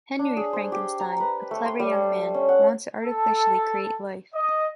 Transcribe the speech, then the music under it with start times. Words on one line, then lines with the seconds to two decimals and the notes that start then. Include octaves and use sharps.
Henry Frankenstein, a clever young man, wants to artificially create life.
0.19 D4
0.37 G#4
0.53 C5
0.72 G4
1.00 A#5
1.20 B4
1.51 A3
1.65 C6
1.80 G3
2.34 C#4
2.49 F#5
3.01 A4
4.34 D#5